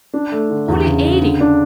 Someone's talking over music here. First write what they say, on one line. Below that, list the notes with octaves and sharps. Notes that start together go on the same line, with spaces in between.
"Fully eighty."
D4
A3
D3
E2
C#3
C#3
D3
D4